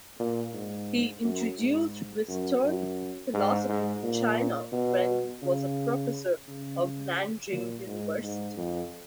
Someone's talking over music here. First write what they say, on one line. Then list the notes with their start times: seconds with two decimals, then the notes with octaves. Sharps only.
He introduced western philosophy to China when he was a professor of Nanjing University.
0.19 A#2
0.54 G#2
1.24 F#2
1.58 G#2
2.28 F#2
2.63 F#2
3.34 G#2
3.69 G#2
4.03 A#2
4.72 B2
5.42 C#3
6.48 C#3
7.52 A#2
7.87 G#2
8.23 G#2
8.57 F2